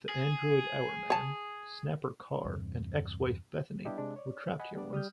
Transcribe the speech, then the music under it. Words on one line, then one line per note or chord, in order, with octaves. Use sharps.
The android Hourman, Snapper Carr and ex-wife Bethany were trapped here once.
G#4
C#5 A5
E2 G2 C3
G3 B3 D4 E4 G4 D#5
C3 G#3 D4
C#5 D5
D#5 F#5 G#5 B5
G3 B3 D4 D5
G3 D#6 F6 G6